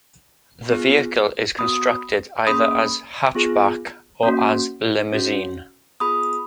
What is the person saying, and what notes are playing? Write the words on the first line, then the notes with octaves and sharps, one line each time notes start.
The vehicle is constructed either as hatchback or as limousine.
B3 F4 G#4
B3 F#4 B5 D#6
A#3 C#4 G#4 B5 D#6
B3 F4 G#4
A#3 C#4 F#4
C#4 F#4
B3 F4 G#4 B5 D#6